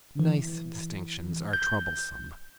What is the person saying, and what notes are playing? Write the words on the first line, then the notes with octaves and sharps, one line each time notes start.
Nice distinctions are troublesome.
E3
G6